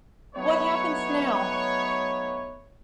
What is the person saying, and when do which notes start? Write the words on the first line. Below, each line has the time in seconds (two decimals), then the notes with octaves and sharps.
What Happens Now?
0.35 F#3 A3 B3 D#4 B4 C#5